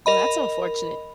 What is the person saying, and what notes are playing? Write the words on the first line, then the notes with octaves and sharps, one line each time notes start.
well, that's unfortunate.
A#4 D#5 B5